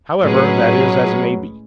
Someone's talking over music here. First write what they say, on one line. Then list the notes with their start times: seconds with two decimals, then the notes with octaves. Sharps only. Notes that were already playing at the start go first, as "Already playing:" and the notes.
However, that is as may be.
0.22 A2 F#3 G#3 C#4 G#4 B4